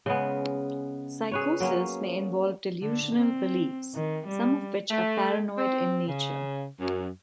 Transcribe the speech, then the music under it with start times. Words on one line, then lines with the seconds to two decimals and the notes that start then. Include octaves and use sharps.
Psychosis may involve delusional beliefs, some of which are paranoid in nature.
0.06 C#3 G#3 B3
1.31 G#4 B4 C#5
1.60 F#3 A#3 B3 C#4
2.82 D3
3.14 C4
3.95 D#3
4.27 G3
4.91 A3
5.58 C4
6.08 C#3
6.80 F#2